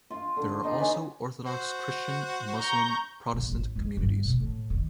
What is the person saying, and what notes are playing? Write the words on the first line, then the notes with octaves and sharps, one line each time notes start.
There are also Orthodox Christian, Muslim, Protestant communities.
F4
D3
D#4 D5 C6
C#4 D#4 B4
F#4 C5
A#5 C#6 G6
A#1
A1
G#3
G2
B2
A2
D#3